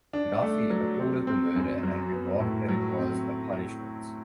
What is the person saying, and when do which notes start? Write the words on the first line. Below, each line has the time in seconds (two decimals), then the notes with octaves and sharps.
Gaddafi applauded the murder and remarked that it was a punishment.
0.13 D4
0.42 A3
0.70 F#3
0.99 C4
1.27 C4
1.56 F#2
1.83 F#3
2.12 B3
2.40 A2
2.68 F#3
2.97 C4